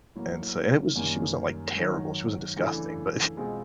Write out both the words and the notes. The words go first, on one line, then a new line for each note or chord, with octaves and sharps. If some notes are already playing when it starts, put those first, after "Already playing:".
And, so and it was she wasn't, like, terrible. She wasn't disgusting, but,
A2 F#3 A#3
F#2 D#3 G3 A#3
G#2 D#3 F#3
C#3 E3 A3 D4
B2 G#3 C4 F4 G#4